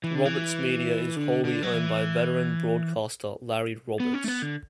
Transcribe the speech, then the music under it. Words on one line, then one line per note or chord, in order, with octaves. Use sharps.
Roberts Media is wholly owned by veteran broadcaster Larry Roberts.
E3
D3
E3
D3
D3
F#3
E3
B3
C#4
A3
B3
D3